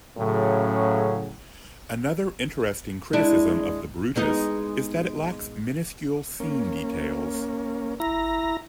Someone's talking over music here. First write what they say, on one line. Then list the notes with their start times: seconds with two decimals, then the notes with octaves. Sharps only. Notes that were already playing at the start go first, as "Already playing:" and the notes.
Another interesting criticism of the Brutus is that it lacks miniscule scene details.
0.17 A2 C#3 F#3
3.13 G#3 D4 E4
4.16 G#3 B3 D#4
6.40 A#3 C#4
8.00 E4 A#5